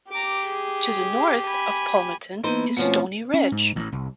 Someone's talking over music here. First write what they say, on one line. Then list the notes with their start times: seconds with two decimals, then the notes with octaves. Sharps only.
To the north of Palmerton is Stony Ridge.
0.12 G4 A#5 D6
0.45 G#4
1.46 G#5 B5
2.44 E3 A#3 B3 D#4 C5
2.77 B2 F3 A3 C4 C#4
3.34 C#4
3.52 G#2
3.76 A1
3.92 C2